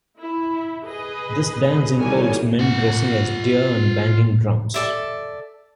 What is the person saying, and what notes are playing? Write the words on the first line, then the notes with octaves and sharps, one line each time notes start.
This dance involves men dressing as deer and banging drums.
E4
G#4 B4 D#5
D#3 E3 G3 A4 C#5 G#5
F4 F#5
A4 D5 E5